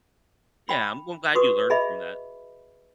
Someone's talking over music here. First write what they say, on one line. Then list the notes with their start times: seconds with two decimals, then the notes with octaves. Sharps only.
Yeah, I'm g glad you learned from that.
0.69 G5 B5
1.35 F#4 B4 C#6 D#6
1.70 G#4 D#5 E5 B5